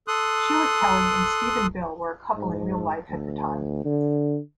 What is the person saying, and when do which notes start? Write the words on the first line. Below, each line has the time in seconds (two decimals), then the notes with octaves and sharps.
Sheila Kelley and Stephen Bill were a couple in real life at the time.
0.08 A4 C6 D#6 F#6
2.35 G#2
3.09 D2
3.85 D3